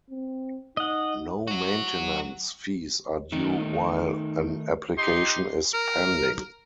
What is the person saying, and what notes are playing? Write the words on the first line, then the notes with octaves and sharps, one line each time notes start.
No maintenance fees are due while an application is pending.
C4
D#4 D#5 F#5
F#3 F#4
D#3 A3 D#4
D#4 G4 C6
A#4